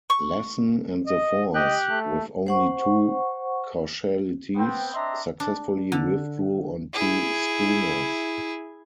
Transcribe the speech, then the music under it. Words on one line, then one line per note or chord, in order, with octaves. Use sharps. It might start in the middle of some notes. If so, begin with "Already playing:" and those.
Lassen and the force, with only two casualties, successfully withdrew on two schooners.
C#6
D#5
G4 D#5 G5 F#6
A3
C5 F#5 C#6
B3 C4 G5
C4 D4 D#5 E5 A#5 C6
D4
D3
E4 G#4